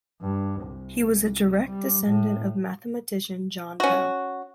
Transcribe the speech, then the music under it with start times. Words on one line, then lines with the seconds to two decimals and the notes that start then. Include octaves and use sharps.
He was a direct descendant of mathematician John Pell.
0.21 G2
0.62 C2
1.67 G3
2.04 A2
3.80 C#4 F#4